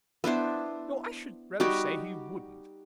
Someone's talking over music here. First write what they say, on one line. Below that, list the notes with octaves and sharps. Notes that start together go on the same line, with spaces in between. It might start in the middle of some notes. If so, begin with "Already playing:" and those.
'No, I should rather say he wouldn't.
B3 D4 E4 C5
G3 D#4 F#4 G4